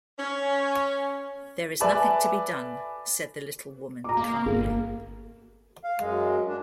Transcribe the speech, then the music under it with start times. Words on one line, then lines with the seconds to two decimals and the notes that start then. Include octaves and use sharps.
"There is nothing to be done," said the little woman, calmly.
0.19 C#4
1.80 B4 D5 E5 G#5 A5 B5
4.04 A#5 D6
4.17 A#3
4.46 G1 A#3
5.84 F5
5.99 F#2 G#3
6.48 D4